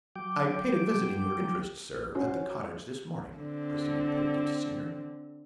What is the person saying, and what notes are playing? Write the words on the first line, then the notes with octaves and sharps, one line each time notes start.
"I paid a visit, in your interests, sir, at the cottage this morning," proceeded Pedgift Senior.
F#3 G5 D6
C#4 F#4 C5
D3 C4